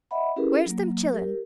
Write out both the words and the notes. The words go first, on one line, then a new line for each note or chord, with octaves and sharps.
Where's them chillen?
D#5 E5 F#5 B5
C#4 E4 G4 G#4 A#4 B4
F#3 A#3
G4 A#4